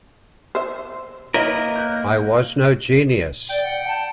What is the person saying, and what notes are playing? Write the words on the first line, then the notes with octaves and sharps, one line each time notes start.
I was no genius.
C5 E5
A#3 E4 A#4 B4 C#5 D#5
F#6 G6
D5 G5
F#5
A5